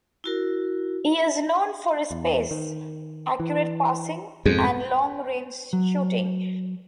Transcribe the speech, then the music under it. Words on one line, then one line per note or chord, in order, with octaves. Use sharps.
He is known for his pace, accurate passing and long range shooting.
E4 F#4 A#4
E2
D#3
E3
F2 G#2 B2 G#3
F#3